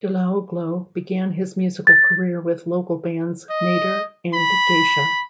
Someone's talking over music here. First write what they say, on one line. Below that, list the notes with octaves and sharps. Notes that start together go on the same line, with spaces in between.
Delaoglou began his musical career with local bands Nadir and Geisha.
A6
D#5
B5